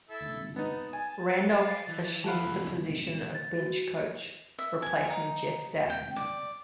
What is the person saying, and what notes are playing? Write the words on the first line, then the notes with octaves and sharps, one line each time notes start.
Randolph assumed the position of bench coach replacing Jeff Datz.
E4 A4 E5
B3 D#4 A5
G#5
C5 F5
E3
F#3 E4 F4 A4 F5 F#5 A5 B5
E7
A6
F#4
E5
G#5
D#4
G5
D5